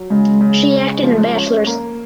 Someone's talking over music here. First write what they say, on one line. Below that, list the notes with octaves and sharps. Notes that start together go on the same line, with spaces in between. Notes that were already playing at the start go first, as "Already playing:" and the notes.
She acted in "Bachelors".
Already playing: F#3
C#3 G#3
C#3
C#4
F3
C#4
A#3